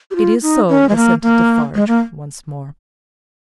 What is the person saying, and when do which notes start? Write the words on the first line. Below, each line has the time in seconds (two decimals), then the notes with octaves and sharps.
"It is so," assented Defarge once more.
0.11 G4
0.16 F4
0.42 D#4
0.69 C#4
0.89 G#3
0.96 A#3
1.22 A#3
1.75 G#3
1.88 A#3